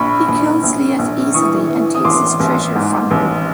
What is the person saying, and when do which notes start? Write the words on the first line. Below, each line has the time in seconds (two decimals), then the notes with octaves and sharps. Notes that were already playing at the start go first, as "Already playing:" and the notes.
He kills Liath easily and takes his treasure from him.
Already playing: A#1 B5 C#6
0.28 A#1
0.63 A#1
0.99 A#1
1.34 E3 C#6 D#6
1.69 E3
1.95 D#6
2.04 A1 C6 D6
2.40 A1
2.76 G#2
3.11 A1